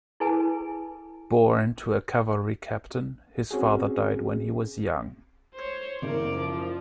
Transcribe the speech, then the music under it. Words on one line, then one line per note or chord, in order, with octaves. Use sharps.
Born to a cavalry captain, his father died when he was young.
E4 G#4 A4 B4 G#5 A5
C4 C#4 F#4 G#4
C5 C#5
F#1 A#4 D5
F3